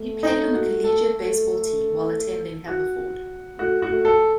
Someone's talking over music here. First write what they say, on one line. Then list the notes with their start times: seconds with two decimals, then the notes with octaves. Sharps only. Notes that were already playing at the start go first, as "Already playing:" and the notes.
He played on the collegiate baseball team while attending Haverford.
Already playing: A3
0.23 D#4
0.53 F#4
0.84 A4
2.68 F#4
3.59 A3 F#4
3.82 F#4
3.91 A3
4.05 A4